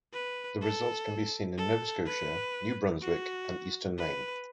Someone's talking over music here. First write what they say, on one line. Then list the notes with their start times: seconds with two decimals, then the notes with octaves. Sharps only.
The results can be seen in Nova Scotia, New Brunswick, and eastern Maine.
0.13 B4
0.62 A4
1.58 A4
2.06 B4
3.01 F#4
3.98 B4